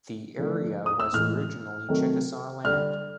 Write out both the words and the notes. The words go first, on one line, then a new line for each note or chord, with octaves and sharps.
The area was originally Chickasaw land.
D3 F3 A3
D#6
E6
A2 E3 G#3 F6
C3 D#3 F#3 A3
D3 G3 F6